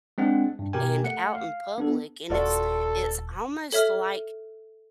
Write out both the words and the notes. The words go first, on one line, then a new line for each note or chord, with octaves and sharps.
and out in public, and it's it's almost like
G#3 C4 D4 F#5
G2
B2 G4 A#4 G5 G#5
A3 F#5 C#7
F5
B3 D4 A4
D#1 F4 F#4 A4 D5
A4 C#5 E5 F6